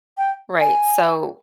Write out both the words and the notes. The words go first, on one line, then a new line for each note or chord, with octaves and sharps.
Right, so
G5
G#5